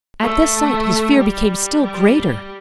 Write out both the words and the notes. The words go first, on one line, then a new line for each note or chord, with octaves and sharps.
At this sight his fear became still greater.
A3
G3
G3